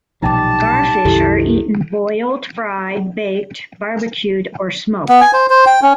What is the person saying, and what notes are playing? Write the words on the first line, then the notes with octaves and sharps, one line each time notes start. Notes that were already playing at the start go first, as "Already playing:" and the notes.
Garfish are eaten boiled, fried, baked, barbecued or smoked.
B1 A#2 F3 G3 D#4 G5 A5 D6
C2 F#2 D#3 E4 G4 A4
B3
G#5
C5
C5
G5
C#4